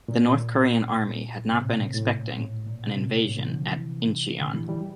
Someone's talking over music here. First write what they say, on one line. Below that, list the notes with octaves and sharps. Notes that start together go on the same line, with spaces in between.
The North Korean army had not been expecting an invasion at Incheon.
A#2
A2 C3
A#2
A2 C3
A2 C3
A#2
A2
A#2
A2 C3
A#2
A2 C3
C3 E3
D3 F3
C3 E3
A#2 D3
E3 G3
E3 G3